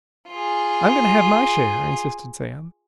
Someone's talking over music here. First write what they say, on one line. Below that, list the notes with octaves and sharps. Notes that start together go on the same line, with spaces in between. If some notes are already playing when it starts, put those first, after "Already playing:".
"I'm going to have my share!" insisted Sam.
F4 G#4